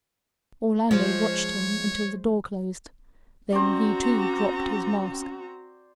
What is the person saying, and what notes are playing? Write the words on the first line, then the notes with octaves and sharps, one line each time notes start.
Orlando watched him till the door closed, then he too dropped his mask.
F3 G#3 C5 C#5
C4 C#4 F#4 C5 D5 G5 A#5